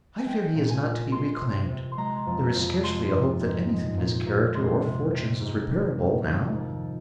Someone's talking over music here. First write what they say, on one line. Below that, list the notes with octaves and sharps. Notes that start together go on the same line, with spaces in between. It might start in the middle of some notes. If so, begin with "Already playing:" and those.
I fear he is not to be reclaimed; there is scarcely a hope that anything in his character or fortunes is reparable now.
G#5
G#3 G5
A#2
G#5
A#2
G#3 C6
C3
C3
C6
G#3 A#5
F2
F2
G#3 C6
G#2
G#2
G#3
A#2
A#2
G#3 C6
C3
C3
G#2
G3
G#2
D#3
F2